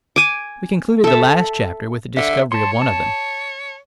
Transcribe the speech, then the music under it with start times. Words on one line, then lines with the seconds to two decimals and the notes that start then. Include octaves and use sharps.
We concluded the last chapter with the discovery of one of them.
0.16 G#5 D6
1.04 A4 E5
2.17 D3 E5
2.52 C#5 A5 C6
2.82 A5